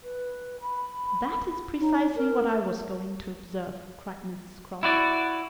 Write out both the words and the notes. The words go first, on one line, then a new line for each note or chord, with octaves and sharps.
"That is precisely what I was going to observe," cried Mrs Croft.
B4
B5
D#4 C#5
A#4
E4 F#4 D5